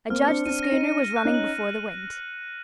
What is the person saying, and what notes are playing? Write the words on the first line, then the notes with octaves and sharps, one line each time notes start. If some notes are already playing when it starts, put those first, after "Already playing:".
I judged the schooner was running before the wind.
A#3 C4 F6
C4 D4 C#7
C4 D4 D#7
A#6
C#4 D#4
D#7
D#7
F#6
C#4 D#4
F#7